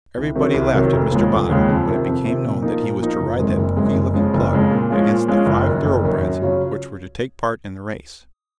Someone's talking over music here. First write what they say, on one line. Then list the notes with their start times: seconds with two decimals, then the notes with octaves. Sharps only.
Everybody laughed at Mr. Bonham when it became known that he was to ride that poky-looking plug against the five thoroughbreds which were to take part in the race.
0.17 C2
0.35 C3 D#3 F#3
0.54 C2
0.73 C3 D#3 F#3
0.92 F1
1.11 D#2 C#3 F3 G#3
1.31 F1
1.49 D#2 C#3 F3 G#3
1.68 F2
1.87 C3 D#3
2.05 F2
2.25 C3 D#3
2.44 A#2
2.62 F3 A#3 D#4
2.81 A#2
3.01 F3 A#3 D#4
3.20 F#1
3.39 F#2 D#3 G#3 C4
3.57 F#1
3.76 F#2 D#3 G#3 C4
3.95 F#1
4.14 F2 C#3 F3 G#3
4.34 F#1
4.52 F2 C#3 F3 G#3
4.71 A#2
4.90 F3 G#3 C#4 F4
5.08 A#2
5.28 F3 G#3 C#4 F4
5.46 F#1
5.66 F#2 D#3
5.84 F#1
6.04 F#2 D#3
6.22 F#2
6.42 C#3 F#3 C#4 F4